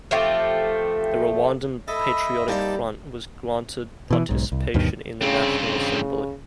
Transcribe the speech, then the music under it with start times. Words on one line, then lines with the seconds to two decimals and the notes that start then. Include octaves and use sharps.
The Rwandan Patriotic Front was granted participation in the national assembly.
0.11 F3 A3 C4 G4
1.88 E4 A4 D#5 E5
2.48 G3 A#3 C4 D#4 G4 D5 A5
4.11 B2 E3
4.29 B1 G#2
4.52 C2
4.74 D2 G2 B2 D#3
5.21 G2 C#3 C4
5.64 C#3